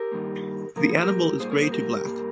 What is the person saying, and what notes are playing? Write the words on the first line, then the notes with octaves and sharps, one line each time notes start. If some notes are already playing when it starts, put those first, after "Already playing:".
The animal is grey to black.
Already playing: G4 A#4
G2 D#3 G3 A#3
A#2 F3 A#3 A#4
G#4
G4 A#4
A#2 G3 A#3 G#4 C5
A#4 C#5
G#4 C5
G4 A#4
G2 G3 A#3